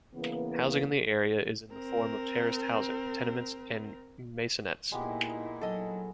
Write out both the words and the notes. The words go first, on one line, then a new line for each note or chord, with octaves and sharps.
Housing in the area is in the form of terraced housing, tenements and maisonettes.
C#3 E3 A#3 B3
C4 A#4
A#2 G#3 B3 D#4 E4 G4
F#3 A4 D#5 F#5